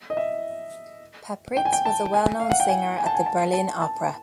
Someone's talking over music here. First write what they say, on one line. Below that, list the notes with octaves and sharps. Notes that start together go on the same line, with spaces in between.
Pappritz was a well-known singer at the Berlin Opera.
D#5
E5
G5
G#5
G5
A5
G#5
F5
F#5
G5
G#5
G#5
A5
G#5
A5
A5
A5